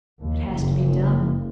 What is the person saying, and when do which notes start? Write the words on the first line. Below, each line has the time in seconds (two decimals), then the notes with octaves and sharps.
It has to be done.
0.21 D#2
0.52 F#1